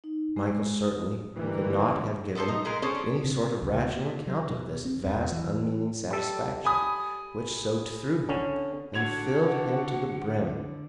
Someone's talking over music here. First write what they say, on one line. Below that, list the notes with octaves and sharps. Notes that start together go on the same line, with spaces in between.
Michael certainly could not have given any sort of rational account of this vast unmeaning satisfaction which soaked through him and filled him to the brim.
D#4
G#3
D#6
G#2 D3 E3 G3 A3 A#3
B3 A4 B4 C5 A5
D#4
A#2 G#3 A#4
C#4 G#4 A4 C5 C#5
D4
C3
C#2
A#2
F#3
B2
C4
E2
E3
G3 A4
G#5 B5 D#6
D3 C#4
D3 F#4 F#5 G#6 F7